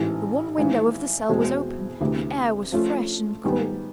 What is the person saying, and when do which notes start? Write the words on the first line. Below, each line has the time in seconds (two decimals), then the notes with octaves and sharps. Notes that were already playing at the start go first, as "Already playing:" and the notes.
The one window of the cell was open, the air was fresh and cool.
Already playing: A1 G#2 E3
0.57 G#1 G#2 E3
1.29 E2 B2 G#3 C4
2.01 D2 C3 E3
2.72 F3 A3 C#4 F4
3.44 G#2 D#3 G3 B3